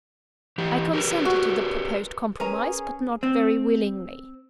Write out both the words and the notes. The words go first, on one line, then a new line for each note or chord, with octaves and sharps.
I consented to the proposed compromise--but not very willingly.
E3 G4
G4 A#4 B4
F#4
C#4 G#4 A#4 B4 A#5
C4